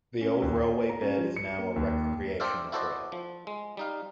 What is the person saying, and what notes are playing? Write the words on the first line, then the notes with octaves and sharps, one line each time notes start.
The old railway bed is now a recreational trail.
C#4
D#2
C#5
A#5
C#4
F3
C#7
A#3
D#2
C4 D4 C5 D5 E5 F5
E4 F#4 A4 C5 D5 D#5
F3
G#3
G3 D#4 F5